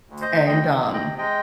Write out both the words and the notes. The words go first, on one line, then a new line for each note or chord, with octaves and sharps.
and, um,
D2
C5 D#5
D2
D2 D#5 G5
C3
D2
D#5 G5
C3
G#3 D#5 G5